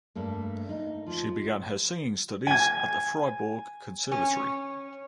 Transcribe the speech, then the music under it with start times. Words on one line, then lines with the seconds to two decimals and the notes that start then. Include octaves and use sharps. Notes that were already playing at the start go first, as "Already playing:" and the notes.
She began her singing studies at the Fribourg Conservatory.
0.15 G2 A3 A#3
0.69 D#4
1.06 F3
2.47 G#5 G#6
4.11 C#4